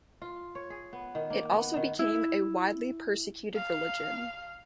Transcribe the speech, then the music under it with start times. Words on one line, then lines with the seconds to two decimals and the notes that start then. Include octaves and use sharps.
It also became a widely persecuted religion.
0.22 F4
0.55 C#5
0.70 G#4
0.93 B3
1.15 D#3
1.30 A#3
1.53 B3
1.77 D#3
1.99 E4
3.56 F5